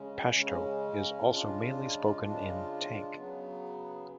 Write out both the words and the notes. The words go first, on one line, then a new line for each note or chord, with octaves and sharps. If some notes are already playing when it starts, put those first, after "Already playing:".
Pashto is also mainly spoken in Tank.
Already playing: C#3 G#3 C#4
C#3 G#3 C#4
C#3 G#3 D4 F4
C#3 G#3 D4 F4
C#3 F#3 B3